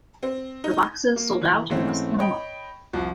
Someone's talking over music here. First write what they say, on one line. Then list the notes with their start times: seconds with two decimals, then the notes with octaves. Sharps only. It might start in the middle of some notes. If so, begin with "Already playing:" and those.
The boxes sold out in less than a month.
0.23 C4
0.64 D#4
1.16 A#3
1.41 E3
1.70 G#2 E3 G#3 A3 C4 C#4
2.19 C#5 D#5 G5 B5
2.93 C2 F3 F#4